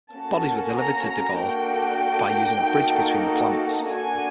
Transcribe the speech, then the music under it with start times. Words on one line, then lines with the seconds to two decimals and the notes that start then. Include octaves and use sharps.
Bodies were delivered to De Vaux by using a bridge between the plants.
0.13 A#3 C#4 F#4 A4 A5
0.76 A#5
1.07 A#5
1.38 A#3 D4 F#4 A4 G5
2.62 A#3 D#4 F#4 A4
3.86 A#3 D4 F#4 A4 G#5